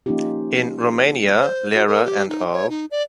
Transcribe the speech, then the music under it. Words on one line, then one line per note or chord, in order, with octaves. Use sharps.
In Romania, Lehrer and al.
F3 A#3 C#4 D#4 F4 G4
C5
F#4
A#4
G4
D#4
C#5
D#4
D5